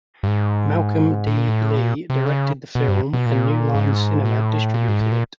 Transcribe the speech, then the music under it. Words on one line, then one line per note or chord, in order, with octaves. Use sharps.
Malcolm D. Lee directed the film and New Line Cinema distributed it.
G2
G#2
A2
A#2
A2
A#2
C3
C#3
B2
G2
B2
A#2
G#2
A2
A#2
G#2
A2
A#2